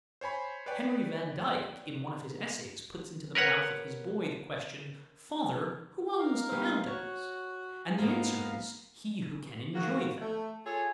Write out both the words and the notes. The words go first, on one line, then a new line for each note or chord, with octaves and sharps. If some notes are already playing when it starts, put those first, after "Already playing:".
Henry van Dyke in one of his essays puts into the mouth of his boy the question, "Father, who owns the mountains?" and the answer is, He who can enjoy them.
C5 C#5 G#5 B5
B4 C#5 D5 G5
A#4 B4 C#5 F#5
D#4 A#4 F5
G3 B3 C#4
F#4 C#5
G#2 A#3 B3 F5 A#5
G#2 A#3 F#4
A3
F4 G#4 A4 C#5